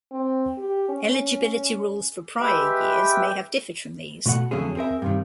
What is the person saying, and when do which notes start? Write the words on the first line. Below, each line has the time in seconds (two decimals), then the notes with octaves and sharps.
Eligibility rules for prior years may have differed from these.
0.12 C4
0.58 G4
0.89 C#4
1.17 C#4
2.40 G#3 G4 B4 E5 G5
4.26 B2 A3 F#4 D#5 F#5
4.51 F2 D3 F#3 A3 C#4 G#4
4.76 C4 G#4 A#4 E5
5.02 G2 C3 D#3